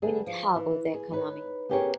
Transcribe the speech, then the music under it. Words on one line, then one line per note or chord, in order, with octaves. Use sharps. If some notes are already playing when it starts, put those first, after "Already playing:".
We need help with the economy.
D3 G3 G#4 B4
F3
E3
G#4
D#4 B4 C#5
B3 C#4 G4 G#4 A#4 C#5